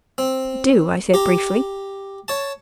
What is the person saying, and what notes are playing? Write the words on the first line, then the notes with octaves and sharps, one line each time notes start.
"Do," I said briefly.
C4
G4 A#5
C#5 A5